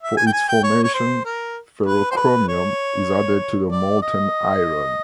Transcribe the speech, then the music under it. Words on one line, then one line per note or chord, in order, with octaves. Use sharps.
For its formation, ferrochromium is added to the molten iron.
E5
G#5
G5
G#5
G5
C#5
C#5
C5
A#4
B4
C5
B4
C#5
D5
D#5